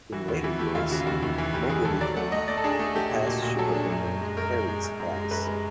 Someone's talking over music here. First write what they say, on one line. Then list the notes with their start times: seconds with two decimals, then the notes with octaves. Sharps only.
In later years, Moberly claimed the pass should have been named Perry's Pass.
0.12 E3 F#4
0.28 D#2
0.36 F#4
0.44 E3
0.59 A3 G4
0.75 D#2 F4
0.91 C#3 F#4
1.01 F4
1.07 D#2 F#4
1.23 D#2
1.38 E3
1.54 E3 G4
1.70 D#2 G#4
1.85 D#2 A4
2.01 F#3 D5
2.17 A3 F#5
2.32 A3 D#5
2.48 A3 D5
2.57 A4
2.64 D4 G#4
2.79 A3 G#4
2.95 A3 G4
3.11 A#2
3.19 F#4
3.27 A#2
3.42 A#2 F#4
3.58 F#3 A4
3.65 G#4
3.74 D4
3.90 F#2
4.05 F#2
4.21 G#3
4.37 F#2 A#4
4.52 F#2
4.68 G#3
4.83 F#2
5.00 F#2
5.16 G#3
5.31 F#2 B4
5.47 G#3